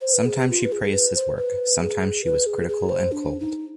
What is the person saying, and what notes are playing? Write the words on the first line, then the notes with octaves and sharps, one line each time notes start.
Sometimes she praised his work; sometimes she was critical and cold.
C5
B4
G#4
G4
F4
B4
G#4
G#4
B4
C5
B4
G#4
B4
G#4
G#4
C5
D4
D#4